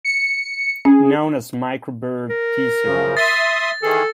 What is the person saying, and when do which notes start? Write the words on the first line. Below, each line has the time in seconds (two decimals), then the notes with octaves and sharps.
Known as Micro Bird T-Series.
0.05 C#7
0.85 C#4 G#4
2.30 A#4
2.85 F#2 C#3 F3
3.17 E5 C6 D#6 A6
3.83 D#3 E3 G#4 A4